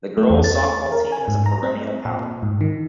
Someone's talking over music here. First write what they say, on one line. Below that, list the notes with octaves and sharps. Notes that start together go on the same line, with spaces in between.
The girls' softball team is a perennial power.
A3
E2
A6
A#4
G#5
G#2
A#5
C4
A#2
G#2
D#3